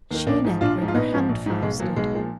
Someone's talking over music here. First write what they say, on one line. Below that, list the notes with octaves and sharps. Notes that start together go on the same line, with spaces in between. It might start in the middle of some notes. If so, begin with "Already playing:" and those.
She and Edward were handfasted.
D#2 D#3
A#1 A#3 D4
G#2 F3
A#1 D4 F4
G#2 F3
F4
A#1 B3 D#4
G#2 F3
A#1
G#2 F3
B1 G#3
A#2 F3 F#3
B1 G#3
A#2 F3